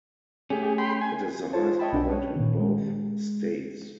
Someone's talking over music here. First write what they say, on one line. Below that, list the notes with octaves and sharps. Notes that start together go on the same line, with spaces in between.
It is the highest point in both states.
A3 C#4 G4 G#4
G5 B5 C6
G#5
F4 A4 C5 C#5 A5
C#5 D#5 E5 G5 A5 B5
B1 D4 F#4
C#4 B4 C#5
A#2 D#3
G#3